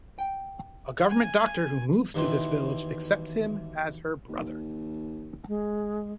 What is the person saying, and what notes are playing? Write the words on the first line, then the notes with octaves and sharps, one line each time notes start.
A government doctor who moves to this village accepts him as her brother.
G5
G#5
D#2 B2 E3 C6
D#2
G#3